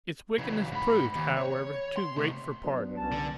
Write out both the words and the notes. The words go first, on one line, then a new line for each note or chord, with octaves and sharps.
Its wickedness proved, however, too great for pardon.
C#3 E3
G#2 B5
D#2
C#5
C6
C3 A3
F#3 B3 D4
C2 C#4 A5
D3